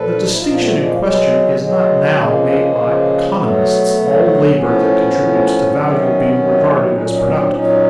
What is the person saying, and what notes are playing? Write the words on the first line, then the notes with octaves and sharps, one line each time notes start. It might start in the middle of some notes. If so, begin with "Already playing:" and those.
The distinction in question is not now made by economists, all labor that contributes to value being regarded as productive.
Already playing: A#2 F3 A4 B4
D4
D#4
E4
A#2 F3 D#4 F4
A3 B3
G#3 A#3
B2 F#3 G#3
B2 F#3 G#3
C#3 F3 G#3 A#3
C#3 F3
B2 F#3 A3 B3
B2 F#3
A2 F3 B3 C#4
A2 F3
C3 D#3 F#3
C3 D#3 F#3
E4
A#2 F#3 C#4 D#4
C#4 D#4
B3 C#4
C4 D4
A#2 F#3 C#4 D#4